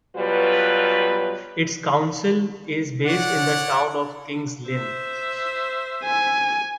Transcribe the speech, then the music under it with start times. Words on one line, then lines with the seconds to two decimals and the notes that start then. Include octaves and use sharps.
Its council is based in the town of King's Lynn.
0.16 B2 F#3 G3 F4 B4
3.06 C#5 D5 F#5
4.68 C5 E5
6.04 G#5